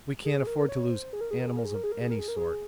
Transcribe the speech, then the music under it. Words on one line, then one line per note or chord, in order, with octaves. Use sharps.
We can't afford to lose animals of any sort.
G#4
G#4
A#4
C#5
C5
G#4
A#4
G#4
A#4
G#4
A#4
G#4
A#4
G#4
A#4
G#4
A#4
G#4
A#4
G#4